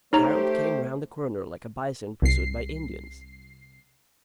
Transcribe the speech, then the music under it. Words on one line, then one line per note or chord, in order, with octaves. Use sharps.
Harold came round the corner like a bison pursued by Indians.
A3 D#4 G4 C5 C#5 A#5
C2 C7